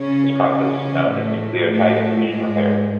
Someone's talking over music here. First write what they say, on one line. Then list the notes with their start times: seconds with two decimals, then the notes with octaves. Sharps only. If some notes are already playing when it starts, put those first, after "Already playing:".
This process is known as nucleotide excision repair.
Already playing: C#3 C#4
0.50 C#3 C#4
1.09 A2 A3
1.69 A2 A3
2.29 G#2 G#3